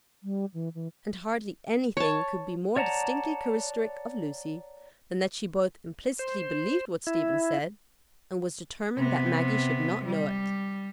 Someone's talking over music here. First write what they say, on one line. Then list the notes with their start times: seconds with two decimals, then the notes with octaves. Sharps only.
And hardly anything could be more distinctively characteristic of Lucy than that she both implicitly believed what Stephen said, and was determined that Maggie should not know it.
0.23 G3
0.54 E3
0.74 E3
1.97 C#5 A5
2.76 C#5 D5 F#5 A5 A#5
6.19 C5
7.07 E4
8.98 C3 B3
10.05 G3